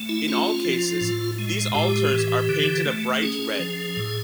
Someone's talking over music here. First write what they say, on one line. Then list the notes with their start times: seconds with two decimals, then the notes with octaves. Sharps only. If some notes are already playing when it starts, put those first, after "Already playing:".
In all cases, these altars are painted a bright red.
Already playing: A3
0.09 E4
0.28 C#4 F4
0.65 F3
1.01 A2
1.39 G#3
1.75 A2 G4
2.12 E3
2.49 D3
2.86 A3
3.22 C#4 G#4
3.60 F3
3.97 A2